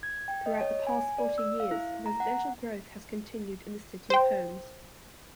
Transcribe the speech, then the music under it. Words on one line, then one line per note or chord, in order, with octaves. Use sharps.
Throughout the past forty years, residential growth has continued in the City of Homes.
G#6
G5
D#5
C#5
G#5
D5
E6
F5
E4
A#5
F#5
C5 G5